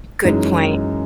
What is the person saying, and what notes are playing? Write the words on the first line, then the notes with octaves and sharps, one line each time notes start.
Good point.
F#2 E3 G#3 D#4